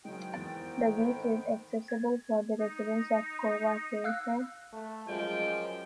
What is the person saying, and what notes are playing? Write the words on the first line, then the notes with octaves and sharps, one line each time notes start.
The beach is accessible for the residents of Covacasa.
G#2 D#3 F#3 G#3 G5
E2 B3 A6
A4 C5 B5
G#6
D#4
F5 E6 F#6
A3
F#2 F3 G#3 G5